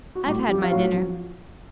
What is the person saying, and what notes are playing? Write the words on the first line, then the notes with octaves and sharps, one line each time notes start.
I've had my dinner.'
F#4
A2 G3 G4
F3 G3 G4
F4
A2 F#3 F#4
F3